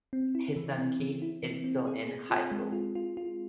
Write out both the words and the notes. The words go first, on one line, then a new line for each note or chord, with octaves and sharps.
His son Keith is still in High School.
C4
E4
E3
C4
E3
E4
E3
C4
G#4
G#4
F4
G#3
F4
F4
F4